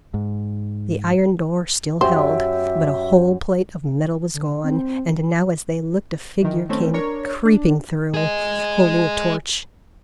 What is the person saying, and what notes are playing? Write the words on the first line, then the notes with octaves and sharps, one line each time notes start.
The iron door still held, but a whole plate of metal was gone, and now as they looked a figure came creeping through, holding a torch.
G#2
F#2 G4 C5 C#5 E5 G5
D3
C4
D#3 E3
D#3 A3 C4 C#4
D4 A#4 C#5
D4
G#4 D#5